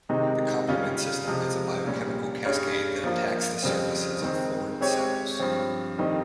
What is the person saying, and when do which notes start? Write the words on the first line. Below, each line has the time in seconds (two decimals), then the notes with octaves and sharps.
The complement system is a biochemical cascade that attacks the surfaces of foreign cells.
0.09 C3 D#3 G#3 C4 D#4
0.69 C#3 G3 C#4 F4
1.27 C3 F3 G#3
1.86 A#2 G3 C#4
2.45 G2 G3 C#4 G#4 C#5
3.04 F3 A#3 F4
3.63 F2 C#3 G3 C4
4.21 D#3 G#3 C4
4.80 G#3 C4 G4 C#5
5.39 G2 F3 C4
5.98 F2 D#3 G3 C4 D#4